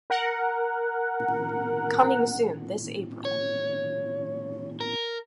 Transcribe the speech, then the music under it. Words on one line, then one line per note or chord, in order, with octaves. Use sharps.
Coming soon this April.
A#4 F#5
C#5
A#4